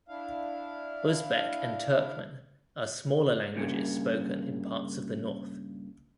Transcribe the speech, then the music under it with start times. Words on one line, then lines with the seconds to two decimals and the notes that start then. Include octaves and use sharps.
Uzbek and Turkmen are smaller languages spoken in parts of the north.
0.08 D4 E4 F5
3.55 G2 A#2 C#3